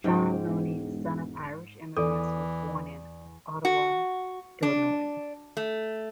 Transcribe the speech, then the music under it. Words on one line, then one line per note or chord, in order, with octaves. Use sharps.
John Looney, son of Irish immigrants, was born in Ottawa, Illinois.
C#2 G#2 G5
E1
E2 E3 A4 D5 D6 D#6
F#4
D4
A3